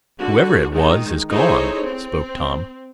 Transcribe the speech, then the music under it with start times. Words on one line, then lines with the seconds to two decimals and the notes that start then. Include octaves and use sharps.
"Whoever it was, is gone," spoke Tom.
0.19 D3 F#4
0.73 D#3 G#3 D#4
1.31 D#4 E4 G#4 A4 C5 C#5
1.86 C4